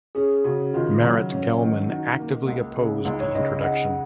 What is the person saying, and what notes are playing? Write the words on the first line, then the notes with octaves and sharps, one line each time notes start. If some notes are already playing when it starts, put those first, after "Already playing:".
Marat Gelman actively opposed the introduction.
C#4 G#4
C#3 F#4
D#3 F4
F#3
C#4
D#3
D#4 F#4
A#3
C#2
C#3
C#2 D#4
C#5
C#3 D#5
D#5
D#4 F#5